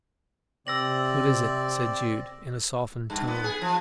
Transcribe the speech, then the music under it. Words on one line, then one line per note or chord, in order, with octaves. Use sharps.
"What is it?" said Jude, in a softened tone.
C3 C4 D5 E6 A#6 F#7
G2
B3
G#4
F3